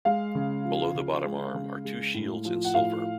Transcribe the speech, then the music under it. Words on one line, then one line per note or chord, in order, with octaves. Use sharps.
Below the bottom arm are two shields in silver.
G#3 F5
C#3
F3
C#3
G#3
C#3
G#3
A2
F3
F#5
A2 F5